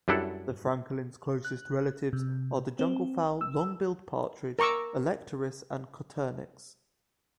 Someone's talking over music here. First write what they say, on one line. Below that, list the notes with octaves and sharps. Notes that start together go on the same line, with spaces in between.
The francolins' closest relatives are the junglefowl, long-billed partridge, "Alectoris" and "Coturnix".
F#2 G3 D4 E4 A4 F#5
F#6
C3
C4
E6
A#4 A#5 C#6 D6 E6